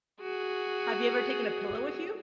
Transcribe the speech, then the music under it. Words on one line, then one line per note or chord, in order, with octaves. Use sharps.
Have you ever taken a pillow with you?
F#4 G#4